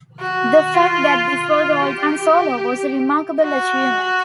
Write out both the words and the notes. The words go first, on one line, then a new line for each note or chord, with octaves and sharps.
The fact that this was all done solo was "a remarkable achievement".
F#4
F4
F4
G4
F#4